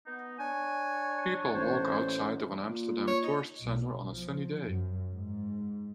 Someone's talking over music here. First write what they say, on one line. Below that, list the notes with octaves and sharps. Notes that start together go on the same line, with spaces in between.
People walk outside of an Amsterdam tourist center on a sunny day.
B3 D#4
D4 C#5 G#5
A1 C5
A#2
C#5
D#4
B1
F3
F#2
G#2